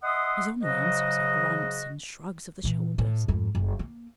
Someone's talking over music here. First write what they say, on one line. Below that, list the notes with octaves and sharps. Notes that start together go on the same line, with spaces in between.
His only answers are grunts and shrugs of the shoulders.
D#5 E5 F#5 C6 D#6
G#2 C#3 F#3 F#4 D#5
A#2 E3
A2
F2 G#2
F#1
A#3